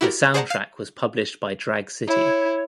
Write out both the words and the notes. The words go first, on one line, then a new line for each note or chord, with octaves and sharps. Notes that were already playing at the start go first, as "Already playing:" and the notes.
The soundtrack was published by Drag City.
E4 F#4 G4 A#4
G#4 C5 D5 F#5 A5 A#5
F5 C7
E4 C#5